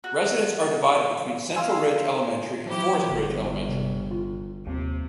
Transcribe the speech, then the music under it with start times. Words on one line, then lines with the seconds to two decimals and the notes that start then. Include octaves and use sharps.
Residents are divided between Central Ridge Elementary and Forest Ridge Elementary.
0.04 F#4
1.56 F5 G#5 C6 E6
2.66 F3 F#3 E4 G4
3.09 G1 D3
3.69 C3
4.11 F4
4.67 D#2 C3